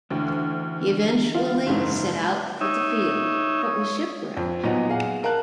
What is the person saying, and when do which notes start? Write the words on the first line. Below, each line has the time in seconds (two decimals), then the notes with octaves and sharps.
He eventually set out for the field, but was shipwrecked.
0.10 D2 D3 E3 G5
1.35 F4
1.67 F#1 G#2
2.61 D#4 C#5 E5
4.37 F2
4.63 A#2 F#3 B3 D#4
4.89 G#4 F5 F#5
5.24 A#4 F5 A5 F#6